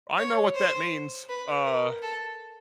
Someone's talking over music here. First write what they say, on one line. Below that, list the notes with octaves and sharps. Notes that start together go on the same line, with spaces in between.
I know what that means. Uh,
C#5
C5
B4
A#4
A4